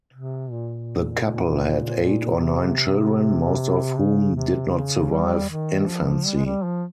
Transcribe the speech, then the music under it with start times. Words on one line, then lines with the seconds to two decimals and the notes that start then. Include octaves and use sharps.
The couple had eight or nine children, most of whom did not survive infancy.
0.14 C3
0.51 A#2
2.37 A#2
2.43 C3
3.97 C#3
4.35 C3
4.73 C#3
5.11 G3
5.50 D#3
5.88 F3
6.26 G3
6.37 G#3
6.45 G3
6.64 F3